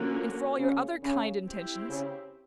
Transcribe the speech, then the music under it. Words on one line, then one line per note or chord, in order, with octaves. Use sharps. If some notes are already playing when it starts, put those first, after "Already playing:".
And for all your other kind intentions!
Already playing: D3 F3 A#3 C#4 F#4
C#3 C#4
C#3 C#4
C4 E4 G4
C#3 C#4